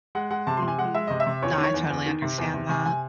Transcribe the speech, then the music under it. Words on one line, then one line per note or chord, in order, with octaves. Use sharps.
Mhm. No, I totally understand that.
G#3 F#5
G#3 F#5
C3 A5
C6
C3
G#5
G#3 F#5
G#3 E5
C3 D#5
E5
C3
E2 C#5
C#5
D#3
C#5
E2
E2
D#3
C3
E2
C3
C3 G#5
C3 G#5